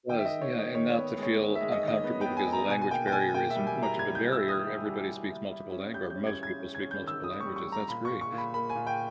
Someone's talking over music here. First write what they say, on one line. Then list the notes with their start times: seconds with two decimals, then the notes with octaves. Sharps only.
It does. Yeah, and not to feel uncomfortable because the language barrier isn't much of a barrier. Everybody speaks multiple lang or most people speak multiple languages. That's great.
0.09 D#3 G5
0.19 E5
0.25 D#5
0.31 D#3
0.42 C#5
0.53 D#3
0.58 D#5
0.75 D#3 C#5
0.90 C#5
0.96 B3
1.18 G#3 C#5
1.39 D#3
1.55 E5
1.61 G#3
1.72 D#5
1.83 D#3 D#5
2.04 B3
2.21 B3 G5
2.37 G#5
2.48 D#4
2.53 A#5
2.69 B2 G#5
2.82 G#5
2.90 A#3 G5
3.07 G5
3.12 B2 G#5
3.34 A#3 G5
3.50 E5
3.56 G3
3.67 G#5
3.77 E4
3.83 A#5
3.99 G3 G#6
4.15 G6
4.21 E4
4.32 E6
4.42 E4
4.48 D#6
4.65 E4
4.86 G3
5.07 G3
5.29 E4
5.51 E4
5.72 C#4
5.94 G3 G6
6.10 G6
6.15 C#4
6.27 G#6
6.38 E4
6.43 G#6
6.59 C#4
6.75 G#6
6.81 C#4
6.91 G6
7.02 D#3
7.07 E6
7.24 C#4 D#6
7.40 C#6
7.46 G3
7.56 C#6
7.67 G3
7.72 A#5
7.88 A#2 B5
8.05 C#6
8.11 A#2
8.21 C#6
8.32 A#2
8.38 B5
8.54 A#3 B5
8.69 G#5
8.75 A#2
8.87 G5